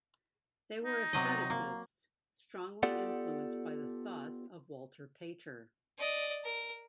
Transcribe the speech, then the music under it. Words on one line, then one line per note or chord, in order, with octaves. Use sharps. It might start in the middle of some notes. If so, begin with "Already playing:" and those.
They were Aestheticists, strongly influenced by the thoughts of Walter Pater.
D#4
C3 F#3 D#5
A#3
B3 F4 G4 A4 D5 F#5
D5 D#5
A#4